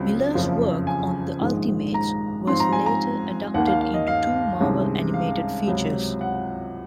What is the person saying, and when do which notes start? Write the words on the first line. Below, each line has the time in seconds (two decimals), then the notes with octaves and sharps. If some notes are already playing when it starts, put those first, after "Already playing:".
Millar's work on "The Ultimates" was later adapted into two Marvel Animated Features.
Already playing: C#2 C#3 F#3 C4
0.34 F#1 F2 C#3 F3
0.87 G#5
1.41 A#1 G#2 D#3 G#3
1.94 A#5
2.47 G#2 F3 C4 C6
2.60 A#5
2.73 G#5
2.86 A#5
3.54 D#2 D#3 A#3 F#5
3.67 F5
3.81 F5
3.94 D#5
4.07 F5
4.61 C2 C3 D#3 G#3 C#4
5.14 F5
5.67 C#2 C3 F#3
6.21 F#5